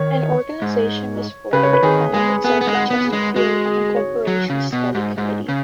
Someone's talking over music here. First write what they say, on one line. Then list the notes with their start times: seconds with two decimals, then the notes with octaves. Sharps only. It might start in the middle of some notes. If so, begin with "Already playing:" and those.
An organization was formed calling itself the Chesterfield Incorporation Study Committee.
Already playing: D#3 C#5
0.62 G#2
1.53 C#3 B4
1.63 C#5
1.73 B4
1.83 D#3 G#4
2.13 G#3 G#4
2.44 B3 G#4
2.61 B3
2.67 G#3
2.75 F#5
2.90 B3
3.05 G#4
3.13 G#3
3.35 G#3 F#4
3.66 G#4
3.96 C#5
4.27 F#3
4.50 C#3
4.73 B2
4.95 G#2
5.18 G#2
5.49 C#3